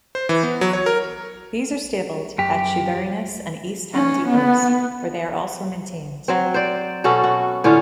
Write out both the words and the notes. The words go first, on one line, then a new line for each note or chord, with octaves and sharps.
These are stabled at Shoeburyness and East Ham depots, where they are also maintained.
C5
E3
B3
F#3
C#5
A#4
F#2 G4
C#4
B3
F#3 C4
C5 D5
B2 C#4 F#4 A4
F#4
A2 D3 C#4 F4